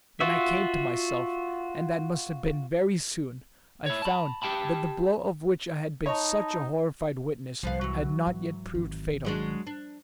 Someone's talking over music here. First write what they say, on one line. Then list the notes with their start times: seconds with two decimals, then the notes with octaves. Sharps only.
When I came to myself, and that must have been very soon, I found that the blow of which I had been such a horrified witness had not yet proved fatal.
0.20 F4 F#4 E5
3.86 E4 C#5
4.02 A5 B5
4.42 G4 G5 A5 B5
6.06 D#4 C#5 D#5 A5 B5
7.63 C2 F3 B3 F5
7.81 E3 F#3
8.27 G#2
8.74 G#1 D#3
9.25 F#3 G#3 D4
9.67 D4